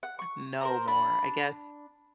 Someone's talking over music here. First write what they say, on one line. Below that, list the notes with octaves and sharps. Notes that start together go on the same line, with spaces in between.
know more? I guess,
F#5
C#6
A#4 C5 A#5
D4 B5